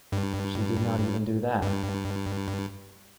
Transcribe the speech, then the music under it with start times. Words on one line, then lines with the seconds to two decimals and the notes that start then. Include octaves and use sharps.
She did not even do that!
0.12 G2
1.62 G2